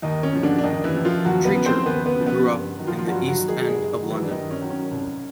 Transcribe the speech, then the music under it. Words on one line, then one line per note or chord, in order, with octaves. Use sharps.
Treacher grew up in the East End of London.
D#2 D#3 D#4
C#4
C#3 F3
D3 D4
D4
D#2 D#3 D#4
E3 E4
C#3 F3
F3 F4
D#2 F#3 F#4
B3 B4
C#3 F3
C4 C5
D#2 B3 B4
B3 B4
C#3 F3
B3 B4
G2
D#3 F#3
F3 F4
F4
G2 F#3 F#4
F#3 F#4
D#3 F#3
G#3 G#4
G2 G#3 G#4
D#3 F#3
E3 E4
D4
G2 D#3 D#4
C#4
D#3 F#3
C#4
C2